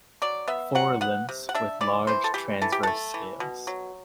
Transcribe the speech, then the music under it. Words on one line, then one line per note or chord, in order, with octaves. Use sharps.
Fore limbs with large transverse scales.
F#3 D5
B3 E5
F#3 F#5
B3 F#5
C3
F#5
D4 E5
E3 D5
E3 C5
A4
E3 G4
E3 A4
G4
A3 A4
E3
B2
F#3